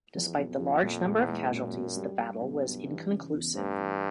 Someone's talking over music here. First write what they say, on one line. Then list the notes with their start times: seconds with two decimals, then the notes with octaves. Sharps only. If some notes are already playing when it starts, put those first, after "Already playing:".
Despite the large number of casualties, the battle was inconclusive.
0.15 E2 F3
0.37 B1
0.49 F2
0.60 F3
0.83 F2 A#2
1.05 A#2
1.17 E2
1.28 G#3
1.51 F#2 A#2
1.74 A#2
1.96 G3
2.19 G2 G3
2.42 B1
2.64 B1
2.87 E3
3.10 C#3
3.33 E2
3.55 G2 A3
3.78 E3